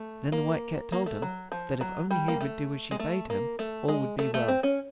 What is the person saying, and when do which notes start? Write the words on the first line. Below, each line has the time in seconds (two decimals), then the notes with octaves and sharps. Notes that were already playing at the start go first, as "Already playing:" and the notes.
Then the White Cat told him that if only he would do as she bade him all would be well.
Already playing: A3
0.32 A#3
0.92 A#3
1.06 A3
1.22 F#3
1.52 F3
1.81 F#3
2.11 G3
2.28 A#3
2.41 A3
2.91 G#3
3.00 A3
3.30 A#3
3.59 A3
3.88 G#3
4.19 A3
4.34 A3
4.48 C4
4.63 C#4